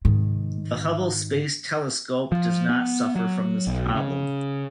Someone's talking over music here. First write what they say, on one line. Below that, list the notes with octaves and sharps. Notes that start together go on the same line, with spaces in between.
The Hubble Space Telescope does not suffer from this problem.
G#2 D#3
F3
B3
F#3
B1
C#3